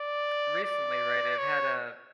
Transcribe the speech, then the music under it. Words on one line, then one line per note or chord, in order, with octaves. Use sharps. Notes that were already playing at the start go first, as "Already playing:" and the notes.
recently, right, I've had a
Already playing: D5
D5
C#5